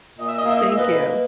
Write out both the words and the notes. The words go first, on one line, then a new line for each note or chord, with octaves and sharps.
Thank you.
A#2 D#5
E5
D#5
A#3 E5
D#5
A#2 E5
B4 D#5
A#3